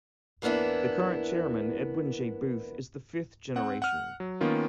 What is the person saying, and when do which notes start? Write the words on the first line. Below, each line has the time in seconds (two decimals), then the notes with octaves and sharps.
The current chairman, Edwin J. Booth, is the fifth generation.
0.42 E3 A#3 B3 D4 E4
3.56 C4 F#5
3.82 F#5 F6
4.20 F#3
4.41 D#3 A#3 B3 C#4 F4